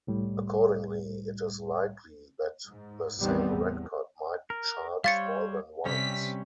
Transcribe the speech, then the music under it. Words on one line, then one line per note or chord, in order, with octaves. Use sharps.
Accordingly, it is likely that the same record might be changed more than once.
C2 A2 G3
G#2
A1 E2 D#3 G3 B3 C4
E2 A2
A#4
G3 C5 C#5 F5 A6 C#7
C3 G3 C#4 B6